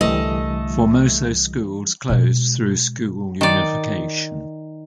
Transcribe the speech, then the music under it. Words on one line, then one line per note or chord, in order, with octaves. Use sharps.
Formoso schools closed through school unification.
C2 D3 E3 G3 A3 D#5
B2 G#3
D#3 D5